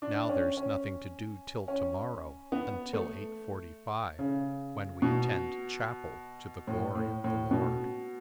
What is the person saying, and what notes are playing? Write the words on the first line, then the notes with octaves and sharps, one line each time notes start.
Now there's nothing to do till to-morrow until eight forty-five when we attend chapel to the glory of the Lord.
D4
C#4
C#4
C#4
B3
A3
C#3
B2
A2
A2
A2
B2